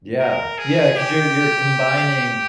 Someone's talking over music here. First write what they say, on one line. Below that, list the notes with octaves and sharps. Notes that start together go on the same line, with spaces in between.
Yeah, yeah, 'cause you're you're combining,
A#4
G#4
G4